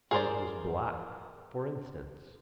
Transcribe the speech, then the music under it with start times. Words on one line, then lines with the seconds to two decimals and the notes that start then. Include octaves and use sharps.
Say it was black, for instance.
0.11 G#4 A#4 C5 D5